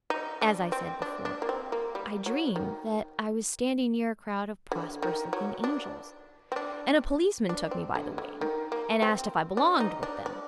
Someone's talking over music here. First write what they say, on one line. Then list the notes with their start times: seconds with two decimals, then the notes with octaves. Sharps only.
As I said before, I dreamed that I was standing near a crowd of prosperous-looking angels, and a policeman took me by the wing and asked if I belonged with them.
0.10 D#4
0.41 D4
0.72 C4
1.02 D4
1.25 D4
1.42 A#3
1.49 C4
1.72 A#3
1.95 G3
2.26 F#3
2.56 D#3
4.72 D3
5.02 D#3
5.33 F#3
5.64 D4
6.52 C4
6.56 D4
7.49 D4
7.71 C4
7.95 D3
8.18 D3
8.41 D#3
8.72 A#3
9.02 C4
9.57 D4
9.80 D#4
10.03 D4
10.26 D4